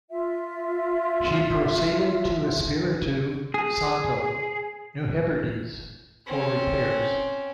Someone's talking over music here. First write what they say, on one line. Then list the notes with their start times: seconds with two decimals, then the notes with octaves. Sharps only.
She proceeded to Espiritu Santo, New Hebrides, for repairs.
0.10 F4 E5
3.54 G#4
6.27 C4 C#4